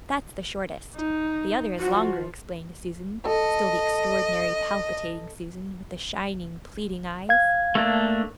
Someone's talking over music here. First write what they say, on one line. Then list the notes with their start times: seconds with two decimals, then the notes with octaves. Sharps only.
"That's the shortest--the other is longer," explained Susan, still the extraordinary, palpitating Susan, with the shining, pleading eyes.
0.96 D#4
1.79 F3 F#4
3.25 A4 D#5
7.29 F5 G#6
7.75 A3 A#3 D4